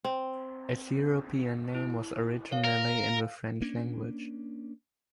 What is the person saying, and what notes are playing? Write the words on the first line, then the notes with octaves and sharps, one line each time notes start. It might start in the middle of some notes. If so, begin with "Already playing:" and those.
Its European name was originally in the French language.
C4
E4
A#4 C#5 F5
A#4 F5
A#3 C#4 D4